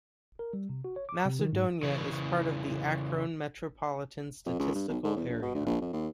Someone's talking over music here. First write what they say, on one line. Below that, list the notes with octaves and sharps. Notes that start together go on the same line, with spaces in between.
Macedonia is part of the Akron Metropolitan Statistical Area.
A#4
G3
C3
F#4
C#5
D6
C3
D#3
G#2
C#3 E3
F2
C#2
G2
B1
G#2
E2
A#1
B2
D2
A#1
F2
D#2